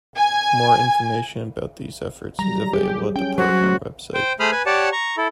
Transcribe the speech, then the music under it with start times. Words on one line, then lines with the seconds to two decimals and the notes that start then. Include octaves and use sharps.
More information about these efforts is available at the program website.
0.17 G#5
2.39 F#3 G3 A#5
2.73 G4 G#4
3.16 C#4 G5
3.38 F#3 F#4 C5
3.61 A3 C#4
4.14 C5 G5
4.40 A3 G#4 C5 B5 D#6 F6
4.51 B4 G#5
4.66 G4 C#5 D5 F#5 A5
4.92 A#5 C#6
5.17 E4 A4